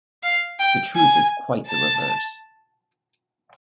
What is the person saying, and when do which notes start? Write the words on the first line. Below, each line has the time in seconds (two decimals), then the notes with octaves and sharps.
The truth is quite the reverse.
0.23 F5
0.59 G5
0.96 G#5
1.67 A5